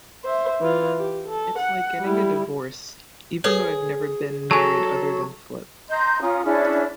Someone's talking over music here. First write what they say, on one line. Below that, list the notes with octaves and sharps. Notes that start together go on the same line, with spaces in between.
It's like getting a divorce; even though I've never been married other than Flip.
C5 E5
E3 F4
G4
A4
F#5
G3 E4
G#4 A4 B4 C#5
F#3 A4 G#5 A5
D#5 A#5 C6 G6
C#4 F4 A#5 D#6
C#4 D4 E4 G#4